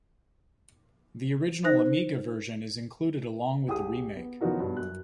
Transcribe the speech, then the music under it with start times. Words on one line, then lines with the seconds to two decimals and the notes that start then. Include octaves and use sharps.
The original Amiga version is included along with the remake.
1.64 D#4 C5 F#6 A#6
3.68 C2 G4 G#4 D#6
4.16 B3
4.41 F3 B3 C#4 D#4 F#4 A#4
4.60 G2 B2
4.77 F#2 F#6